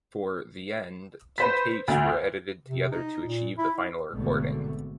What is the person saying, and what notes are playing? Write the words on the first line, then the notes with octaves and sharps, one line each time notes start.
For "The End", two takes were edited together to achieve the final recording.
B4 C5 B6
D2
C3
D#4
A#2
E4
G#1 B2 D3 A3